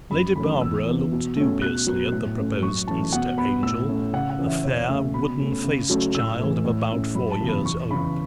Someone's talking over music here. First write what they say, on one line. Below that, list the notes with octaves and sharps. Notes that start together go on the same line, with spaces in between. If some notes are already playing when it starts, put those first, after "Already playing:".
Lady Barbara looked dubiously at the proposed Easter angel, a fair, wooden-faced child of about four years old.
F#2 B5
E3 A3 C#4 B5
E2 E6
E3 B3
B2
A3 C#4
B2 F#6
F#3 B3
A2
A3 C#4
F#2 C#6
E3 A3 C#4 A5
B2 F#5
B3 B5
A2 E6
A3 C#4
C#3 F#5
F#5
E3 C#4
E5
E2 C#5
C#3 A3 C#4 E5
B2 B5
A3 C#4
C#3
F#3 A3 C#4
A2 E6
E3 A3
A2
A3 C#4
F#2 B5
A5
C#3 E3 B3
B5
E2 C#6
C#3 E3 B5